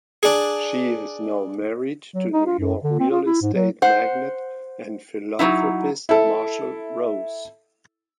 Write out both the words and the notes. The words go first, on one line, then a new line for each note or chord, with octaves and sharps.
She is now married to New York real estate magnate and philanthropist Marshall Rose.
D4 G#4
F#3
D#4
F4
F#2
D3
C4
F4
E4
G#2
F#3
C5 F#5
F#3 A3 D#4 E4
E4 A4